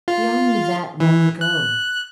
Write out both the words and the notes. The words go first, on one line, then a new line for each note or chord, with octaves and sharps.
'We all knew that long ago.'
F4
E3
F#6